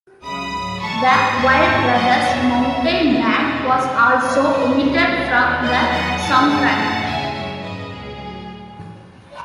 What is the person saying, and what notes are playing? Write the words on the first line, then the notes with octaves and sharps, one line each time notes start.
"The Vile Brothers Mountain Band" was also omitted from the soundtrack.
C#2 C#3 F#3 B5 D#6
G#2 F#3
A2 E3 G#3 A5 C#6
G#2 E3 G#3 B5 D#6
E2 D#3 G#3 A5 C#6
G#2 D#3 F#3
F#2 D#3 F#3 D#5 F#5
E2 B2 F#3 C#5 E5
E2 D#3 G#3 C#5 E5
C#2 C#3 E3 G#3
D#2 D#3 G#3 B4 D#5
E2 B2 G#3 B4 D#5
F#2 C#3 G#3 A4 C#5
G#2 D#3 G#3 B4 D#5
F#2 C#3 F#3 C#5 E5
G#2 E3 G#3 B4 D#5
C#2 B2 F#3 A4 C#5
C#2 C#3 G#3
E2 D#3 G#3
E2 D#3 F#3 B4 D#5
E2 D#3 F#3 D#5 F#5
G#2 E3 G#3 F#5 A5
F#2 C#3 G#3 F#5 A5
A2 E3 G#3
D#2 C#3 E3 G#3 E5 G#5
F#2 C#3 G#3 C#5 E5
G#2 F#3 B4 D#5
C#2 B2 G#3 G#4
A2 F#3